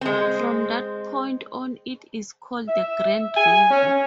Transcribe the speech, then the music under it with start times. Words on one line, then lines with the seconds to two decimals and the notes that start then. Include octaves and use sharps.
From that point on it is called the Grand River.
0.01 G#3 C4
2.68 E5
3.36 G#5
3.70 C#4